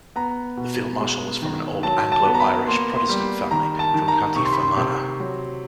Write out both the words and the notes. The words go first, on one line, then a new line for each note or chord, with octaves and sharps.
The Field Marshal was from an old Anglo-Irish Protestant family from County Fermanagh.
B3 A#5
B2
G#3
D#3
F#3 A5
A5
B3
A#5
B5
A#3 C6
C6
G3
D#3 A#5
A5
D#3
A#5
C3 C#6
C6
B5
C6
C3
F#3